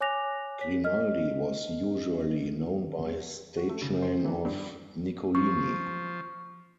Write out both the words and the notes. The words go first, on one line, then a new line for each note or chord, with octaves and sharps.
Grimaldi was usually known by his stage name of Nicolini.
C#5 G#5 D6 F#6 A#6 F7
C#5 B6
D#5 F6
F#4
A3
C#3
C5
E3
G2
F3 C#6